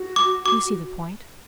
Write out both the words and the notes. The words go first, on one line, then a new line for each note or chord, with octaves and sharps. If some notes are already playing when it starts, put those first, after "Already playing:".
You see the point.
Already playing: F#4
D6
D6